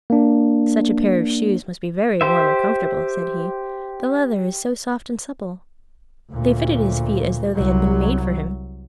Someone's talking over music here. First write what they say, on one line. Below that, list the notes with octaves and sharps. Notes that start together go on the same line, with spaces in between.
"Such a pair of shoes must be very warm and comfortable," said he; "the leather is so soft and supple." They fitted his feet as though they had been made for him.
A#3 D4
G4 C5 E5
D2 A#2
C2 F#3